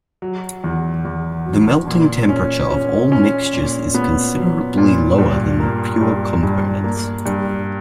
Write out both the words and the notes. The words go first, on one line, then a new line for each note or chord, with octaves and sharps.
The melting temperature of all mixtures is considerably lower than the pure components.
F#3
E2
E2
F#3
A#2
C#4
C#4
C#4
A#2
B3
F#3
A#2
G2
A#3
G2
G2
A#3
G2